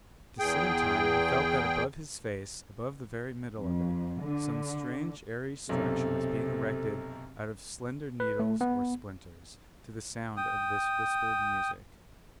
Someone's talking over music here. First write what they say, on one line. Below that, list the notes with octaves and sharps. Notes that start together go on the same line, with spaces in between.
At the same time he felt that above his face, above the very middle of it, some strange airy structure was being erected out of slender needles or splinters, to the sound of this whispered music.
E2 G#4 G5
F2
D3
B1 F#2 C3 A4
B4
A3
B3
G5 D#6